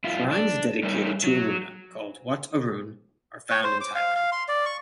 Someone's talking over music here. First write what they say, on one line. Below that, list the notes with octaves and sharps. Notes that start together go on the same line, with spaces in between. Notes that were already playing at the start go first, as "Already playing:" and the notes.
Shrines dedicated to Aruna, called "Wat Arun", are found in Thailand.
F#2 E4 F4
D4
G3 A3 D#4 A#4 C#5
F#3
C#5
C5
D6
F5
F5
C6
D5
C#6